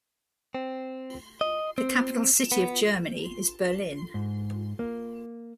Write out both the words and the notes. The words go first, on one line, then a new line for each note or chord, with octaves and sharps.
The capital city of Germany is Berlin.
C4
D#5
C4
B3
G#2
A#3